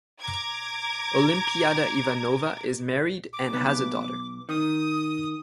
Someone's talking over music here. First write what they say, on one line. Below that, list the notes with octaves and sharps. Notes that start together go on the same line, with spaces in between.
Olimpiada Ivanova is married and has a daughter.
A#5 D6 G#6
D6
B1 B3
D#3 D#6